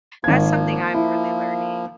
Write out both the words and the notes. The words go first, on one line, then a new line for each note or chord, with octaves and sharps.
that's something I'm really learning.
G#1 F3 A#3 G#6
E4